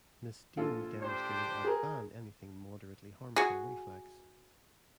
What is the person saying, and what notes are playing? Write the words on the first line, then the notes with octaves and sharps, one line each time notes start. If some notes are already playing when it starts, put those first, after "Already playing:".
Ms Dean demonstrated a 'ban anything moderately harmful' reflex.
A#1 F4 A4
D4 G4 C5
G#4 A#4
F#4 G#4